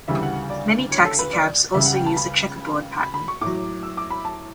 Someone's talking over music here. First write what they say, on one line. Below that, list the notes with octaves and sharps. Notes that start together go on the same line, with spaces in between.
Many taxicabs also use a checkerboard pattern.
D2 C#3 E3 G3 E5
F#5
D5
C#5
A4
B4
D5
C#2 C#3 G3 E5
F#5
G5
A5
B5
B5
B5
C#6
A2 F#3 D6
E6
D6
B5
A5